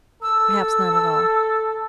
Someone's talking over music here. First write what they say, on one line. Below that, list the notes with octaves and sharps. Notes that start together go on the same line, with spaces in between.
Perhaps not at all.
A4 E6